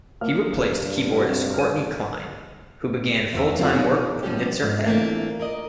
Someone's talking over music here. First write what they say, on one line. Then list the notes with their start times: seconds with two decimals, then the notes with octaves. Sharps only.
He replaced keyboardist Kourtney Klein, who began full-time work with Nitzer Ebb.
0.21 A#3 F6
0.71 G2
1.19 C3 F#4 G4
1.54 F6 D#7
3.33 E2 B4 E5
3.58 F3 C4 D4 F4 F#4 E5
3.73 D#4 G4 G#4 C#5
4.23 F3 G3 B3 C#4 G4
4.61 G#2
4.84 E3 A3 A#3 C4 D4 F4
5.39 A#4 D5 D#5